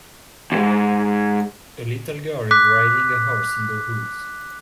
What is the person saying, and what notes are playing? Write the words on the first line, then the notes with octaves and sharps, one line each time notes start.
A little girl is riding a horse in the woods.
D#2 G#2
D6 F#6 B6